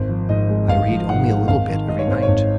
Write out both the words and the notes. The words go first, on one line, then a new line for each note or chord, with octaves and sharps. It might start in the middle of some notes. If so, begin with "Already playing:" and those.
I read only a little bit every night.
Already playing: G#1 C5
F3
G#2 D#5
G#3
G#1 F5
F3
G#2 F#5
G#3
G#1 F5
D#3
G#2 D#5
C#5
G#1 C5
C#5
G#1